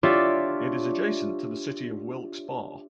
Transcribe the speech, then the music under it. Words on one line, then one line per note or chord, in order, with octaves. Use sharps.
It is adjacent to the city of Wilkes-Barre.
D4 F4 G4 C#5 D5 E5